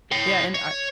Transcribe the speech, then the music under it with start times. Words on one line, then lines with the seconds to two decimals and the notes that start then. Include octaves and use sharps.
Yeah, and I
0.12 C#5 G5
0.54 C#5